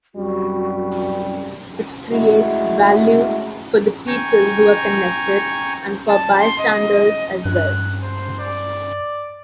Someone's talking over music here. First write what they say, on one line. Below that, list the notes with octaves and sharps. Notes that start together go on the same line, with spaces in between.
It creates value for the people who are connected, and for bystanders as well.
C2 F#2 G3 F#4
G#3 A3 E4 F#4
G5 G#5 A#5 C#6
A5
C6
D#5
G2 F#6
C5
D5